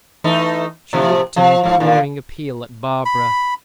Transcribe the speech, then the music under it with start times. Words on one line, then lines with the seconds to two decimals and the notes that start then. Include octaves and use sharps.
She looked an imploring appeal at Barbara.
0.24 E3 A3 D#4
0.93 A2 C3 F3
1.36 F3
1.64 G#2 F3
1.80 D#2 A#2 D3
3.05 B5